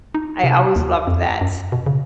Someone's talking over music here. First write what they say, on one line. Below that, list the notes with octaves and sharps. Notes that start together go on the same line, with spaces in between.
I always loved that.
D#4
C3
D#2
F2
F#2
B2
C#3